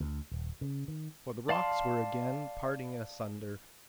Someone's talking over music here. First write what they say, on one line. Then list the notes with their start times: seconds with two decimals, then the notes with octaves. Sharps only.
For the rocks were again parting asunder.
0.01 D2
0.32 D#1
0.61 C#3
0.88 D#3
1.49 D5 F5 A5 C6